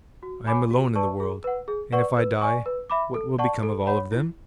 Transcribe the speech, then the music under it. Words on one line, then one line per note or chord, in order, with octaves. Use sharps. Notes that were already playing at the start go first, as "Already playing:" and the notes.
I am alone in the world, and if I die, what will become of all of them?
F#4
C#5 G#5 B5 D6
F#4
B4 D5 A5 C#6
G#4
B4 F#5
G#4
B4 D5 F#5 C#6
B4
D5 G#5 C#6
B4
E5 B5 D6
A4
D5 F#5 A5 C#6
A4
C#5 F#5 B5
E4